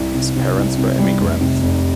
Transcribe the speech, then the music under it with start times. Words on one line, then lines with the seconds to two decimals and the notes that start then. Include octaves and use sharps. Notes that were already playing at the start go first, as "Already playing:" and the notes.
His parents were immigrants.
Already playing: C2
0.14 C3
0.36 C3
0.56 C2
0.78 C3
0.99 G3
1.20 F1
1.41 C3
1.63 F1